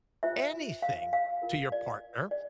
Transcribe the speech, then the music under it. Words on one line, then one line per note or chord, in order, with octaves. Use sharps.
anything to your partner,
F4 C5 E5
F5
F5
F4 A#4
D5
D5